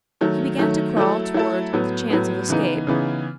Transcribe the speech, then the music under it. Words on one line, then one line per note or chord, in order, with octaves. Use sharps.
He began to crawl toward the chance of escape.
D#3 F#3 A3
D#3 F#3 A3
F#3 A3 E4 A4
F#3 A3 E4 A4
A2 F#3 B3
A2 F#3 B3
C#3 E3 B3 D#4
C#3 E3 B3 D#4